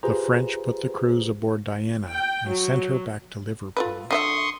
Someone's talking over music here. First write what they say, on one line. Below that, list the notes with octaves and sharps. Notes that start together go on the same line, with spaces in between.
The French put the crews aboard "Diana" and sent her back to Liverpool.
F4 G4 G#4 B4 C5 A#5
G5
F#3
F4 A4 B4
D3 F#4 E5 C6 C#6 D#6